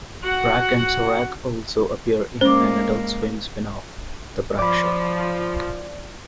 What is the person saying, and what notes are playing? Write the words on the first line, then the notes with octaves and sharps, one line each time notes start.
Brak and Zorak also appear in an "Adult Swim" spinoff, "The Brak Show".
F#4 F#5
G#3 A#3 C#4 C5 D5 A#5
F3 D5 B5 D6